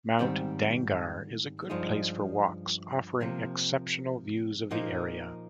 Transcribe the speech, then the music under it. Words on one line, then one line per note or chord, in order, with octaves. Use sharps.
Mount Dangar is a good place for walks, offering exceptional views of the area.
G#2 D#3 G3 C4
G2 F3 G#3 D#4
C3 F3 A#3
A#2 F3 A#3 D#4